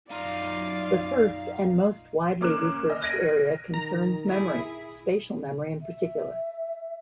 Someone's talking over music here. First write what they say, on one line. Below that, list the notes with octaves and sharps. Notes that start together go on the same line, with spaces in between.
The first and most widely researched area concerns memory, spatial memory in particular.
F#2 D#4 F4 D5 F5
A#3 C#4 D6 F6 F#6 E7
D#5 F6
F#6 G#6 A#6 D7 D#7
D#3 A#5
E4 G#4
E5